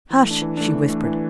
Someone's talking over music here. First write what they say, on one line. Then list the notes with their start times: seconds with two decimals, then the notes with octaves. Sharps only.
"Hush!" she whispered.
0.10 E3
0.25 A3
0.31 D4
0.42 E3
0.57 A3 D4
0.74 E3
0.89 A3 D4
1.05 E3